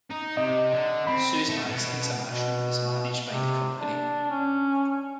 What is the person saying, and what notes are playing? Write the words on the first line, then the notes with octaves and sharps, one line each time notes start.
Suezmax International is managed by the Company.
D#4
C3 D#5
D3
C4 B5
A3
B2
B2
C3
D4
C#4